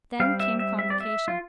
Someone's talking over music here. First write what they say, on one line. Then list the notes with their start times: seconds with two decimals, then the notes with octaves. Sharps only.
Then came Convocation.
0.20 G3 C4 F5
0.40 E5
0.59 E5
0.79 E5
0.90 D5
1.00 E5
1.28 F4